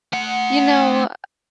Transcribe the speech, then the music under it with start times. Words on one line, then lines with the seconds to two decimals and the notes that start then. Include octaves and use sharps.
You know, uh,
0.13 A3 F#5